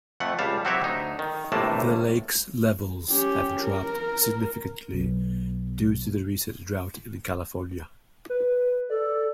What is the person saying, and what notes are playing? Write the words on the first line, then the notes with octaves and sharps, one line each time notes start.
The Lakes levels have dropped significantly due to the recent drought in California.
F2 A3 F#5
C#2 G3 F5 A5
F#3 C4 F#4 G4 C#5 E5
D2 D#4
D#3
G1 A2 C3 A3 A#3 A5
C#4 G4
A#4
B1
B4
A4 D5